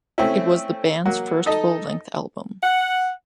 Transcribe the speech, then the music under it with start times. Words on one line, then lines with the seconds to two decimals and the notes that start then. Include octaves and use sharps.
It was the band's first full-length album.
0.18 A3 C4 C#4 E4
1.05 F#3 A#3 F#5
1.46 D#4 A4 D#5
2.62 F#5